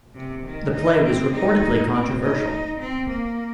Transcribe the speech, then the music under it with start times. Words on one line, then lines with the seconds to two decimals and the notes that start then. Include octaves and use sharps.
The play was reportedly controversial.
0.15 C3
0.45 D#3
0.74 D#4
1.04 C4
1.33 D#4
1.92 C4
2.22 D#4
2.80 C4
3.09 A#3